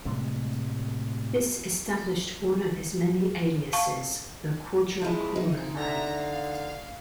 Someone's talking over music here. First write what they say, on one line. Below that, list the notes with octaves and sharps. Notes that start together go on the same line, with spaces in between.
This established one of his many aliases, the 'Quadra Kora Man.
A2 C3 G3 G#3
F5 A5 C#6
G#3 C4 E4
D#4
D3 E5 A#5 A#6
F5